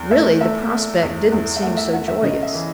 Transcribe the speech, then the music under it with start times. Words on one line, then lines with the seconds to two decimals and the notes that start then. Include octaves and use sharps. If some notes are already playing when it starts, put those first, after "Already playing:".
Really the prospect didn't seem so joyous.
Already playing: E2
0.11 A3 E5
0.41 A3 E5
0.71 A3
1.02 E2
1.32 E2
1.56 E5
1.62 A3 F#5
1.77 E5
1.93 E2 F#5
2.08 E5
2.22 C#3 D#5
2.43 E5
2.53 E3